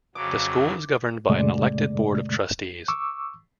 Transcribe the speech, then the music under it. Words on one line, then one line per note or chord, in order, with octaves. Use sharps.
The school is governed by an elected Board of Trustees.
F2 C#3 F#3 D6
F#2 A#2 C#3 G#3 A3 D5
C#6 D6 E6